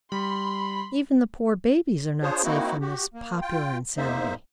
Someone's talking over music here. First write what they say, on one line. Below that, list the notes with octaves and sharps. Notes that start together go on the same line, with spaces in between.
Even the poor babies are not safe from this popular insanity.
G3 B5 C6
D4 F4 G#4 C5 C#5
A#3 C4 D#4 E4 F#4
F#4 G4
A#3
F4 G5
E2 A#3 D#4 C5 E5